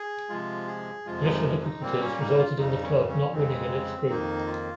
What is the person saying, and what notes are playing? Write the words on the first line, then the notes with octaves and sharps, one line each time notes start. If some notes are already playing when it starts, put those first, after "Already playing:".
Initial difficulties resulted in the club not winning in its group.
Already playing: G#4
C3 F3 G#3 F4
G#4
F2 C3 F3 G#3 F4
D#4
D#4
A#2 G3 A#3 C4
C#4
D#4
F4
F2 C#3 G3 D#4
C#4
C#4
F2 C#3 G#3 C4
F2 D#3 A#3 D#4
F4